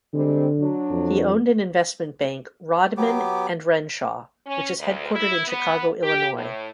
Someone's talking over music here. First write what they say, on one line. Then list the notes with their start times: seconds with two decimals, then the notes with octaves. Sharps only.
He owned an investment bank "Rodman and Renshaw" which is headquartered in Chicago, Illinois.
0.14 D3 G3 G#3 C4
0.58 F#3 D4
0.90 F2
2.97 F#3 B3 G4 D6
4.46 C#4
4.78 D2
5.13 E4
5.47 B3
6.02 G4
6.34 A2